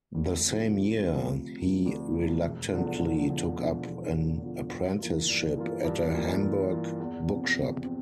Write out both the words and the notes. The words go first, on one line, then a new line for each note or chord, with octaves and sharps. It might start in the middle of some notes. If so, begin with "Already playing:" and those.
The same year he reluctantly took up an apprenticeship at a Hamburg bookshop.
D2
C3 F3
D2
C3 F3
D2
C3 F3
D2
C3 F3
E1
E2 D3 F3
E1
E2 D3 F3
E1
E2 D3 F3
E1
E2 D3 F3
G2
E3 A#3 F4
G2
E3 A#3 F4
G2
E3 A#3 F4
G2
E3 A#3 F4
E2
C3 F3 C4
E2
C4